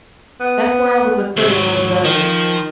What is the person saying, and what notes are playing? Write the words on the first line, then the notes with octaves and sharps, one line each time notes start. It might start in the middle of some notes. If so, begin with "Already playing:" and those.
That's where I was a critical observer.
B3
D#2 G#2 C3
F#3
D#3 F3